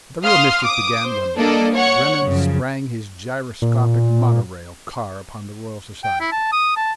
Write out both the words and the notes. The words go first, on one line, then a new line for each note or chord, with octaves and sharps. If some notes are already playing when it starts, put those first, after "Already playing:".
But the real mischief began when Brennan sprang his gyroscopic mono-rail car upon the Royal Society.
F5 C6 D#6 F6
D6 D#6
C5
G3 A#3 D4 A4 D5 D#5
C#5 F#5 C#6 C#7
F#2 C#3 F3
A#2
G5
E4
A5
D#6
A5